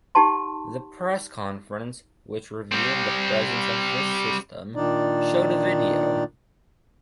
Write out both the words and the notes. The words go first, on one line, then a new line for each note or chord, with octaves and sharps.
The press conference, which revealed the presence of this system, showed a video.
D#4 G4 F#5 A5 C6
G3 C4
A#2 D#3 D4 D#4 D5